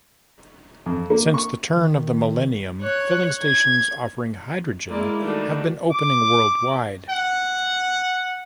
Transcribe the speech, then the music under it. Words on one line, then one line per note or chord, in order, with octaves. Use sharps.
Since the turn of the millennium, filling stations offering hydrogen have been opening worldwide.
F2
A#3
C#6
D#3
C#5 F#6
G#6
G#3 A#3 E4 D5
D#3 G3 A3 D4 F#4
D6
F#5